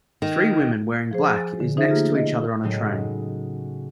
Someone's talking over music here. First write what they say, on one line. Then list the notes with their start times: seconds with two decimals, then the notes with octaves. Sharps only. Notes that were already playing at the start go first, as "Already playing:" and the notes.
Three women wearing black is next to each other on a train.
0.22 D#3
1.11 F3 G#4 C5
1.35 G#5 A6
1.60 D3
1.77 D#4 F4 G#4 A4 C5 E5
1.89 A3 A#3 F4 G4 G#4
2.15 D#5
2.63 A2 C#3 F#3 G#3 D#4